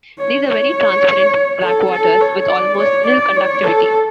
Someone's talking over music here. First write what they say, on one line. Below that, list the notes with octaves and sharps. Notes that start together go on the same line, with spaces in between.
These are very transparent blackwaters with almost nil conductivity.
C#5
C#5
A4
A4
C#5
D5
C#5
D5
C#5
A4